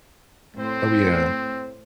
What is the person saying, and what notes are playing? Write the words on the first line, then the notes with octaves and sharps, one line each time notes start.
Oh, yeah.
A2 C4 C5